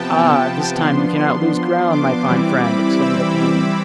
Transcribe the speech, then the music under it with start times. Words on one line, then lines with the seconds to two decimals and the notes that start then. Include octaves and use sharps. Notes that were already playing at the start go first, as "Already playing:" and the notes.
"Ah, this time you cannot lose ground, my fine friend!" exclaimed D'Artagnan.
Already playing: C3 F3 B3 G5 A5
0.44 A5
0.80 F3 B3 D4 C6
1.17 C6
1.91 D6
2.28 E3 G3 C4 E4
2.65 B5
3.02 E6
3.39 D6